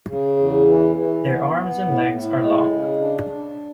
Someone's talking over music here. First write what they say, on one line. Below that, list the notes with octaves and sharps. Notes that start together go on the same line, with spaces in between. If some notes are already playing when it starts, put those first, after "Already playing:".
Their arms and legs are long.
C#3
E2
E3
E3
B3
B3
A2
A2
G#3
C#3
D4
D4